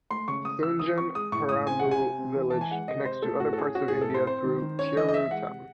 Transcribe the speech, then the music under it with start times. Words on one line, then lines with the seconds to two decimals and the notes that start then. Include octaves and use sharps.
Thunjan parambu village connects to other parts of India through Tirur town.
0.11 A3 C6
0.28 C#3 C#6
0.45 C#3 D#6
0.62 E3 E6
0.79 E3 D#6
0.98 C4 C#6
1.15 G#3 D#6
1.32 A2 C#6
1.49 A2 D#6
1.67 C4 G#5
1.79 C3 F#5
1.91 G#5
2.01 C3
2.18 C4
2.36 E3
2.50 E3 A5
2.61 G#5
2.71 G#3 F#5
2.88 C3 D#5
3.05 C3 C5
3.22 A3 A4
3.40 A2 F#4
3.53 A4
3.58 C#4 G#4
3.75 C#4 F#4
3.88 A2 G#4
4.01 A4
4.10 A2 C5
4.27 C4 C5
4.44 D#3
4.62 D#3
4.79 C#4 C#5
4.96 E3 D#5
5.08 D#5
5.14 E3 E5
5.31 G#3 F#5
5.49 C3